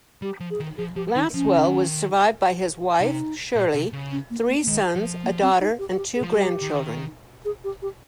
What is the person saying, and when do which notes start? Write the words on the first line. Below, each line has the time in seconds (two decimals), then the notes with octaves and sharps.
Lasswell was survived by his wife, Shirley, three sons, a daughter and two grandchildren.
0.22 G3 G4
0.40 F3
0.51 G#4
0.60 D#3
0.77 F3 G#4
0.96 F3 G4
1.16 D#3 D#4
1.34 F3 C#4
1.44 D#3
1.55 C#3
1.65 D#3
3.00 C3 D#4
3.55 A#2
3.74 C3
3.93 C#3
4.12 C#4
4.30 A#3
4.48 A#3
4.62 A#3
4.67 D#3 G#3
4.95 F3
5.23 A#3
5.42 C4
5.60 D#4
5.79 G4
5.96 G4
6.15 G#4
6.22 F3
6.33 G3 G4
6.62 D#3
7.45 G#4
7.64 G4
7.82 G4